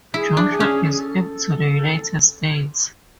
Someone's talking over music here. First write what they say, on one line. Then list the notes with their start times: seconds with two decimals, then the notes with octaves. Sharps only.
Joshua escaped to the United States.
0.13 E4 G#4
0.37 D4
0.49 G#4
0.60 C#4
0.84 A4
0.91 G#4
0.99 A4